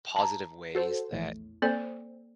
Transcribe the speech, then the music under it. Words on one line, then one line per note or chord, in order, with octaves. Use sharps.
positive ways that,
A5 A#5
F#4 A4 C5
A#1 E2 A2
A#3 C4 A4 D5